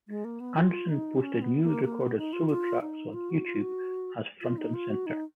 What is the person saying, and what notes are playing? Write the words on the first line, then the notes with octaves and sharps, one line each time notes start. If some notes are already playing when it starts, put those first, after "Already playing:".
Anderson posted newly recorded solo tracks on YouTube as Front and Centre.
G#3
A#3
B3
F4
D#4
C#4
B3
A#3
A#3
B3
D#4
F4
F4
D#4
F4
F#4
F4
F#4
F4
D#4
F4
F#4
D#4